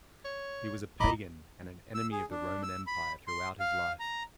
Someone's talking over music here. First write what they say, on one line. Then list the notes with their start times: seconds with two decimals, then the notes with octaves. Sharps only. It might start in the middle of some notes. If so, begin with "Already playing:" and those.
He was a pagan and an enemy of the Roman Empire throughout his life.
0.25 C#5
1.00 G2 E4 D#5 A#5 B5 D6
1.95 E6
2.12 G#4
2.30 D4
2.63 E6
2.87 B5
3.27 C6
3.60 F5
4.00 A#5